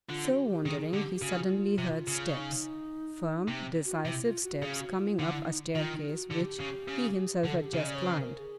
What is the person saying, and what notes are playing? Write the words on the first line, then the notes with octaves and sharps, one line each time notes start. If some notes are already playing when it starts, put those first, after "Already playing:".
So wandering, he suddenly heard steps, firm, decisive steps coming up a staircase which he himself had just climbed.
D3 F4
F#4
G4
D#3 G#4
D3 G4
G4
C#3 F#4
F4
C3
C#3
D#4
C3
F#4
F4
C3 E4
F4
F#4
C#3 G#4
F#4
F4
D3 E4
E4
D#4
D#3 F4
G4
F#4
D3 G4
C#3
C#3
D3 A4
G4
C#3
D#5
D5
C#5
C5
A#4
G#4